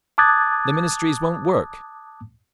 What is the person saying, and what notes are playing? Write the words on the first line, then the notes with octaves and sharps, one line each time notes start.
The Ministries won't work....
A5 D6 D#6 F#6 G#6 A6